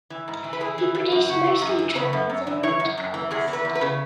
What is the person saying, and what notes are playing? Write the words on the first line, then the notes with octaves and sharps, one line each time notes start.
He produced mostly drawings and watercolors.
E3
G#2
E3
B4
E3 G#4
E3
E3
F#2
C#3 F#4
E3
F#2
E3
C#3 B4
F#2
F#2
E3
E3 C#5
F#2
F#2
E3
E2 G#4
E3
B4
E2
B4
C#3